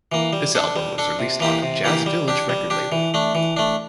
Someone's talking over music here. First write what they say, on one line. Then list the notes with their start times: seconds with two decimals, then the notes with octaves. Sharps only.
This album was released on Jazz Village record label.
0.12 E3 A#3
0.33 G3
0.55 D4 A4
0.76 G3
0.98 D4 A4
1.19 C3
1.40 E3 A#3 E4 G4
1.62 C3
1.84 E3 A#3 E4 G4
2.06 G3
2.28 D4 G4
2.49 G3
2.70 D4 G4
2.92 E3
3.14 A3 D4
3.35 E3
3.57 A3 D4